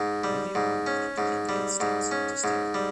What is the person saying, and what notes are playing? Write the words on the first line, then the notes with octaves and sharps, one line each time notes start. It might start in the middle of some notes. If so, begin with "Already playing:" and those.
William moved to the United States to study.
Already playing: G#2
G3
G#2
C#4
G#2
G3
G#2
C#4
G#2
G3